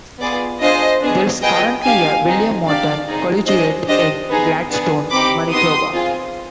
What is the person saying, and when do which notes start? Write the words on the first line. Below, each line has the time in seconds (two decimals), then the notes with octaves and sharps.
There is currently a William Morton Collegiate in Gladstone, Manitoba.
0.20 B3 F4 G#4 D5
0.61 D4 F4 G#4 C5 D#5
1.02 B3 D4 G#4
1.43 B3 F4 G#4 D#5 G5
1.84 D4 G4 F5 G#5
2.25 C4 D#4 G#4
2.66 D4 G4 D5 F5
3.07 C4 D#4 G#4
3.47 D4 G#4 C5 D#5
3.88 D4 G4 C5 D#5
4.29 B3 D#4 G#4
4.71 B3 D4 G#4
5.11 C4 D#4 G4 B5 D6
5.52 B3 D#4 G4 C6 D#6
5.92 C4 F4 G#4